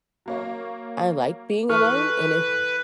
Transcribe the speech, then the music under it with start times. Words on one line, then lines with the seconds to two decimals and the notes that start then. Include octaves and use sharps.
I, like, being alone, and if
0.26 F#3 A#3 C#5
1.69 E3 A4 B4 C#6 F6